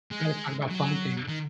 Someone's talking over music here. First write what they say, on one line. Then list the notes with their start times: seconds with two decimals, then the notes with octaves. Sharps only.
rather talk about fun things,
0.12 G#3
0.70 F#3
1.28 D#3